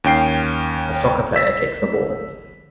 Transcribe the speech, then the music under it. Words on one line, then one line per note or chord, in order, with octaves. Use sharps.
A soccer player kicks a ball.
D#2 C#4 G5 C7
E6 B6